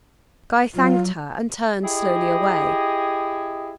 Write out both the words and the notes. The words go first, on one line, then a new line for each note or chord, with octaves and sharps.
Guy thanked her, and turned slowly away.
F#3 F4
E4 G4 G#4 D#5